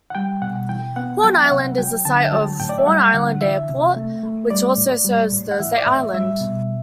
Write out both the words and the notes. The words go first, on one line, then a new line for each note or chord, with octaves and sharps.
Horn Island is the site of Horn Island Airport, which also serves Thursday Island.
F#5
G3 G5
B2 F#5
E3 G5
B3 F#5
F#3 G5
E5
C3 F#5
F#3 G5
D3 A5
G5
F#3 A5
A2 G5
D5
E5
G3 F#5
D3 F#5
E3 E5
C3
A3
A3
G3 D5
A2
G3
A2
F#5
E3 E5
D5
A2 E5
G3 E5
B2